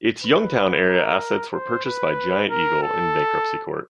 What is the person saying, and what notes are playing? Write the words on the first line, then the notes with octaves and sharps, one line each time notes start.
Its Youngstown-area assets were purchased by Giant Eagle in bankruptcy court.
B4
A#4
C5
B4
A#4
A4